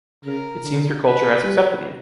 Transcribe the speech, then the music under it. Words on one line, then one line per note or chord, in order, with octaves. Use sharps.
It seems your culture has accepted me.
C#3 A#4
D3
B4
G3